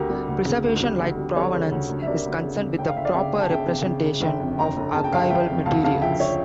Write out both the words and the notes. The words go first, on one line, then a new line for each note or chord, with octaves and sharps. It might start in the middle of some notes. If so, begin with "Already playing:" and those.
Preservation, like provenance, is concerned with the proper representation of archival materials.
Already playing: D2 G4 A#4
G3
D2
C#3
D2
G3
D2
G3
G3 A4 C#5
C#3
D2
D2
E5
G3 A#4 D5
D2
C#3
C#3
G1 G5
F5
G1 E5
D5 F5
C#3 E5 G5
G1
A5
C#3 E5 G5
C#3
C#3
C#3
G1 E5 G5
F2
G1 G5 A#5
G1
C#3 A5
G5
G1 F5 A5
G1 E5 G5
F2
D2 F5 A5
C#3 F5 A5
F3 E5 G5
C#5 E5